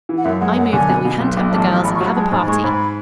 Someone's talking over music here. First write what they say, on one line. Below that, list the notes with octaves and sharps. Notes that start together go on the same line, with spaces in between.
I move that we hunt up the girls and have a party.
E3
F#5
F#2 E5
G#3 F#5
F#2 F#5
D3 G#5
B2
B2
B1
B1
A1 A5
A1
A1 B5
C#6
F#3 B5
G#3 A5
G#5
G#2
B5
G#3 C#6
G#2 B5